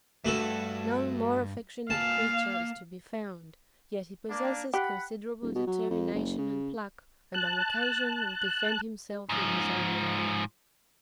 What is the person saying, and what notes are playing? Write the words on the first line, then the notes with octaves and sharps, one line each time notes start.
No more affectionate creature is to be found, yet he possesses considerable determination and pluck, and on occasion will defend himself in his own way.
G2 A3 F#4 A4
A#3 F5 G#5 A5
A#3 D4
G4 F#5 B5
D#1
B2
F#3
F2
F#1
C#3
A5 F#6
G#2 F3